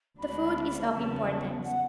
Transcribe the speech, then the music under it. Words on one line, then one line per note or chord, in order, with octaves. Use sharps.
The food is of importance.
D2 D3 G#3 D4 F#4 B5
E2 C#3 F#3 B3 A5
F#5